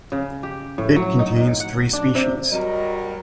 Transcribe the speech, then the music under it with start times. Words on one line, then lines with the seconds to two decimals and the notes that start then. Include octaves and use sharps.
It contains three species.
0.12 C#3
0.43 G4
0.78 A2
0.96 F#3
1.19 D#4
1.60 F#5
1.93 D4
2.15 C3
2.51 F#3 G3 A#4 D#5